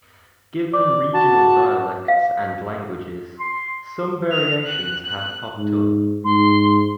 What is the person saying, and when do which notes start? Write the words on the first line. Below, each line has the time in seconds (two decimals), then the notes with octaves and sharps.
Given regional dialects and languages, some variations have popped up.
0.73 D5 D6
1.14 F#4 A5
2.08 F5
3.40 C6
4.32 F7
4.66 F#6
5.06 F#6
5.58 G#2
6.25 G#2 C6